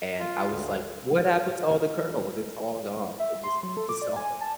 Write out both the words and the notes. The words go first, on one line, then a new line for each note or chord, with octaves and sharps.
and I was like, "What happened to all the kernels? It's all gone." It just dissolved.
F4
D2
E5
C6
F#3
A4
D6
D5
G#5
A5